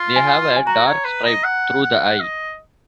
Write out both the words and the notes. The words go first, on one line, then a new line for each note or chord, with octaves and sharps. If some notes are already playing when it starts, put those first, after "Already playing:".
They have a dark stripe through the eye.
Already playing: F4
G#5
G#5
F#4 A#5
C#5
B4
D#5
F#5
F#5
D#5